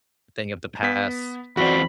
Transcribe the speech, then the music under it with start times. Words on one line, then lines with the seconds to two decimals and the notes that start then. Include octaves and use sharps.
thing of the past.
0.83 B3 B6
1.57 E2 C4 F#4 D5 B5